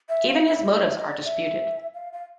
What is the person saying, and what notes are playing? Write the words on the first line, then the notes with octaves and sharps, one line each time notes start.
Even his motives are disputed.
E5
F5
E5
D#5
E5
D#5
D5
E5
F5
F5